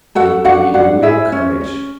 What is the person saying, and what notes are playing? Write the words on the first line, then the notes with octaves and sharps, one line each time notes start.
And you will need all your courage.
F#4 A4 F#5
D4 F#4 F#5
D4 F#4 F#5
E4 G#4 E5
C#4
C#4